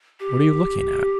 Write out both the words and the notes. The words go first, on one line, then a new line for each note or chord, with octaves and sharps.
"What are you looking at?"
G4